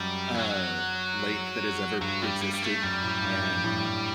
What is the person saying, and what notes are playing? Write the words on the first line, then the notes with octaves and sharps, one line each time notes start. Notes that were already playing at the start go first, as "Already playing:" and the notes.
uh, lake that has ever existed. And
Already playing: F#2 G3
E3
F#3
G2 F#3
G3
G3
G3
A3
F#2 G3
A2
G2
A2